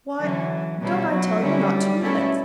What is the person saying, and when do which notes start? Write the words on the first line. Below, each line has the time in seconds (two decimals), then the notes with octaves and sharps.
Why, don't I tell you, not two minutes.
0.20 D3 E3 F#3 C#4
0.81 B2 F#3 G3 C#4 E4
1.11 F#3
1.41 D3 F#3 G3 C#4 E4
2.01 B2 A3 C#4 E4